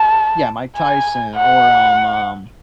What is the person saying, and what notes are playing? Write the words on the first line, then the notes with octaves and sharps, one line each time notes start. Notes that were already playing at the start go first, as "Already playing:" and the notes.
Yeah, Mike Tyson or, um, um
Already playing: A5
G#5
F#5